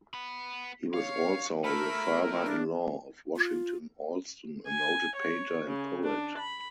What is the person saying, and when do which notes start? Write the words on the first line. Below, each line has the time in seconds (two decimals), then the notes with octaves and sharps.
He was also the father-in-law of Washington Allston, a noted painter and poet.
0.14 B3 B5
0.94 C#5 F5
1.64 A3 E4 A#4 B5
2.46 D4
3.36 F4
4.68 G#5
5.16 C#5
5.67 C#3
6.03 D4
6.38 B5